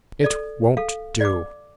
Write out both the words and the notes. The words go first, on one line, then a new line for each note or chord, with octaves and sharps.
It won't do.
A4 D5
A4 F5
D5 D6